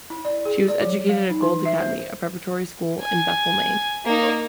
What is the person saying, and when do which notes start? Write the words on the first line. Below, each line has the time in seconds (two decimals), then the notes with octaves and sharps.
She was educated at Gould Academy, a preparatory school in Bethel, Maine.
0.10 E4
0.25 D5
0.45 G#4
0.68 D5
0.81 F#3
1.09 F5
1.30 D#4
1.42 E3
1.65 E5
1.81 C5
3.01 G#5
4.05 A#3 D#4